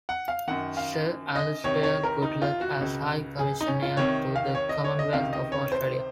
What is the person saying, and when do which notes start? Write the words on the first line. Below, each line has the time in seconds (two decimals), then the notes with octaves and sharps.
Sir Alastair Goodlad, as High Commissioner to the Commonwealth of Australia.
0.09 F#5
0.28 F5
0.48 F#2 D#3 F#5
0.77 F5
1.35 D#5
1.64 C2 C3 D#3 C#5
1.83 C#5
2.03 A#4
2.22 D#4
2.42 F4
2.61 F#4
2.81 C#2 C#3
3.39 G#4
3.61 D#4
3.67 C#4
3.82 F4
3.97 C2 C3 D#3 C#5
4.36 F5
4.55 C#5
4.69 D#5
4.84 C#5
4.99 D#5
5.13 C#2 C3 D#3 F5
5.33 D#5
5.52 C#5
5.72 C5